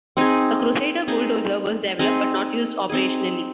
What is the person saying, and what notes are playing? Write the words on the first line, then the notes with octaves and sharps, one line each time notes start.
A Crusader bulldozer was developed, but not used operationally.
C4 D#4 G#4
C4 D#4 G#4
C4 D#4 G#4
C4 D#4 G#4